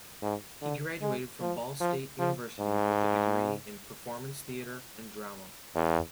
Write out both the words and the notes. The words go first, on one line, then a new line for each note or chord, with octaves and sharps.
He graduated from Ball State University with a degree in performance theater and drama.
G#2
D3
G#3
F3
F3
F3
G#2
E2